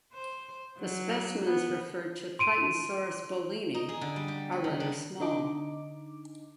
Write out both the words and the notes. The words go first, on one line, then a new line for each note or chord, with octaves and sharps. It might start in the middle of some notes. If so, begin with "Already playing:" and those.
The specimens referred to "Crichtonsaurus bohlini" are rather small.
C5
F#3
B3
C6 D7 D#7
D#4
G#4
D3
G3
G4
B3
D#3
D4
D3 D#4 D6